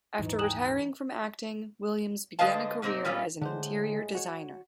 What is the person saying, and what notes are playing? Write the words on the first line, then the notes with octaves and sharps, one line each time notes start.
After retiring from acting, Williams began a career as an interior designer.
D#1 G#2 E3 F#3 D#4
G5 G#5 D#6 F#6 E7 F#7
D3 G#3 B4 D#5 F5 A5
G#2 C3 A#3 C4 D#4
A#2 G3 B3 C#4 F4
A2 D3 G#3 C5
F#4 C#5